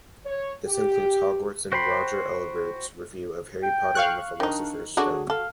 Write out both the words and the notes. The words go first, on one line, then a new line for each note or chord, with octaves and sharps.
This includes Hogwarts in Roger Ebert's review of "Harry Potter and the Philosopher's Stone".
C#5
G4
F#4 C5 G5 B5 C6
G5
F5 C#6 F#6
D#3 D4 D#4
D3 F#3 D4 F#4 G#4
A4 F5